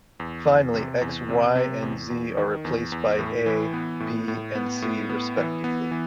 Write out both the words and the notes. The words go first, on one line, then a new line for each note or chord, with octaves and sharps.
Finally, X, Y and Z are replaced by A, B and C respectively.
E2
E2
C3
E2
C3
C3
E2
E2
D#3
E2
E2
A2
E3
B3
A2
A2
B3
A2
B3
E3
B3
E3